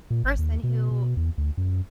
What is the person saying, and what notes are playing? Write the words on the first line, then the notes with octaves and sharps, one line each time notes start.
person who
A#2
G#1
D#2
B2
B2
E2
D2
F#2